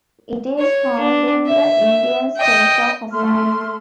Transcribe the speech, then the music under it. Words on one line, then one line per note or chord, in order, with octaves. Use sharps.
It is found in the Indian state of Assam.
C#5
D4
E5
D#5 G5
A3 C6 F6